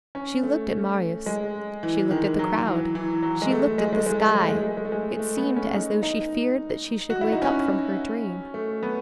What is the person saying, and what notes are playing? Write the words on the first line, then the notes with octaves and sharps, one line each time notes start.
She looked at Marius, she looked at the crowd, she looked at the sky: it seemed as though she feared that she should wake up from her dream.
C#4
A3
G#3
E3
D#3
F#3
E3
E3
F#3
G#3
A3
G#3
A3
G#3
A3
G#3
A3
G#3
A3
G#3
A3
G#3
A3
G#3
A3
G#3
A3
G#3
A3
B3
C#4
D#4
D#4
F#4
E4
D#4
C#4
A3
B3